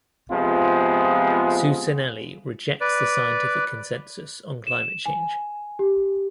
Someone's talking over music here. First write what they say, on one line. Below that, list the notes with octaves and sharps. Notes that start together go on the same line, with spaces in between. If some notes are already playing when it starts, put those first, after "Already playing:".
Cuccinelli rejects the scientific consensus on climate change.
C3 F3 G#3 B3 F4
B4 D5
E7
G#5
G4